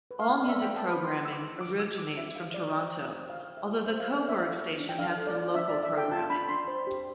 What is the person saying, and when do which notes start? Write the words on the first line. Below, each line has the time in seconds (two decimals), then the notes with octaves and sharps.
All music programming originates from Toronto, although the Cobourg station has some local programming.
0.11 B4
0.20 F5
0.29 E4
0.44 D5
0.48 B4 E5
0.62 G5
0.67 E4
0.76 A5
0.85 B4 B5
1.04 E4 C6
1.23 B4 E6
1.33 D6
1.42 E4
1.61 B4 D6
1.79 E4 E6
1.98 B4 D6
2.17 F4 E5
2.36 C5 F5
2.54 F4 D5
2.73 C5 G5
2.92 F4
3.11 C5
3.29 F4 F5
3.48 C5
3.57 E5
3.67 F4
3.86 C5 E5
4.00 F5
4.05 F4
4.14 D5
4.24 C5 E5
4.43 A4 F5
4.62 F4
4.80 D4
4.89 G5
4.99 D4 F5
5.18 A4
5.27 D5
5.36 F4
5.55 D4 E5
5.69 D5
5.74 D4
5.83 E5
5.93 A4 G5
6.11 F4 A5
6.30 D4 B5
6.49 D4 C6
6.68 C5
6.87 G4